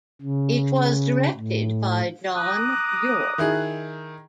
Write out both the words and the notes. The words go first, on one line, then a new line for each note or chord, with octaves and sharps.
It was directed by John York.
C#3
A2
A#5 D6 D#6 F#6
D#3 E4 G#4